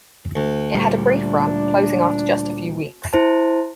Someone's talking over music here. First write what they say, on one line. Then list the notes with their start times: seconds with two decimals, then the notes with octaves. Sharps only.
It had a brief run, closing after just a few weeks.
0.36 D2
0.75 A#2 G3
1.11 D4
3.13 E4 C5 A5